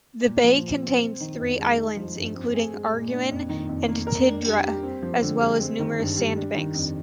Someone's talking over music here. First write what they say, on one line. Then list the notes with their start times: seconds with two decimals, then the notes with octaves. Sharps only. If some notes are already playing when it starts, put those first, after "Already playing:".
The bay contains three islands, including Arguin and Tidra, as well as numerous sandbanks.
0.25 A#2
0.44 F3
0.63 A#2
0.82 C4
1.01 C4
1.20 D#3
1.39 F2
1.59 G#3
1.77 D#4
1.96 F3
2.16 G2
2.35 C4
2.54 G#4
2.73 G#3
2.92 A#2
3.11 D4
3.31 F2
3.49 D#3
3.69 F2
3.88 A#3
4.07 A#4
4.26 D4
4.45 G3
4.65 G4
4.83 C4
5.02 F3
5.22 D3
5.41 G#3
5.60 C4
5.79 D#3
5.98 G2
6.17 G3
6.36 D4
6.56 D#3
6.74 F2